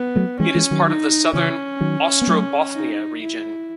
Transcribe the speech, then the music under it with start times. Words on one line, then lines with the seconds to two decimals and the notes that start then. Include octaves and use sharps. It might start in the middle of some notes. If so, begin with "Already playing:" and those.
It is part of the Southern Ostrobothnia region.
Already playing: B3
0.16 F#3 A3
0.40 E3 G#3 C#4
0.55 E3 G#3
0.71 D#3 F#3
0.86 D#4
1.33 C#3 E3 C#4
1.81 D#3 F#3
2.22 B3
2.27 F#3 A3
2.74 D#4
3.21 E4